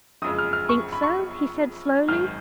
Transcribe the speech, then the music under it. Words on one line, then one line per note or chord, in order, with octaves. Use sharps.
"Think so?" he said slowly.
F#1 F2 C#3 G#3 D#6
F6
F6
C#6
B5
C#6
G#1 F#2 D#3 F6